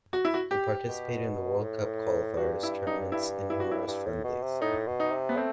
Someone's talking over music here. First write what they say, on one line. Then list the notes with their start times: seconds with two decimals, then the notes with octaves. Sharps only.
He participated in world cup qualifiers, tournaments, and numerous friendlies.
0.13 F#4
0.25 E4
0.34 F#4
0.51 G4
0.89 B2
1.62 A2
2.37 G2 F#4
2.63 E4
2.87 D#4
3.12 G2 E4
3.50 E4
3.60 F#4
3.71 E4
3.88 G2
4.06 A2
4.24 B2
4.43 C3
4.61 A2 D#4
4.87 B2
5.00 D#4
5.11 C3
5.29 B3
5.37 A3 C4